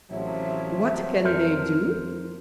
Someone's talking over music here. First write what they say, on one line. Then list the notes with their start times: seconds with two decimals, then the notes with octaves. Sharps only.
What can they do?
0.11 A1 C3 F3 F#3 E5
1.24 F2 A4 A#4 C5